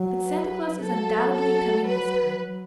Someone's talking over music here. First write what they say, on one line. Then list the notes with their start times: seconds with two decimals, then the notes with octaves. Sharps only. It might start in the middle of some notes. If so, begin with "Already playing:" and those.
But Santa Claus is undoubtedly coming this time.
Already playing: F#3
0.28 B4
0.81 F#3 A4
1.34 A4
1.87 B4